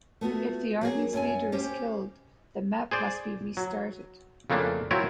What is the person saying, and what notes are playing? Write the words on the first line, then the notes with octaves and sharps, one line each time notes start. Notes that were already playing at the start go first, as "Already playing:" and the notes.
If the army's leader is killed, the map must be restarted.
A3 B3 F4 F#4
F#3 A#3 G#4
F#2 C#4 G5 G#5
C#4 G4 C5
G#4 C5 D5
F#3
F2 C#3 A3 A#3 D4
F#3 C4 E4 F4 A#4 C#5